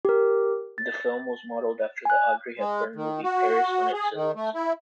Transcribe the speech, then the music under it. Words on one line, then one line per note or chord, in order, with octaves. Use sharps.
The film was modeled after the Audrey Hepburn movie, "Paris When It Sizzles".
G4 A#4
A6
G#5 F#6
G#3
D#3
F#4
G#4
D#3
A3
E4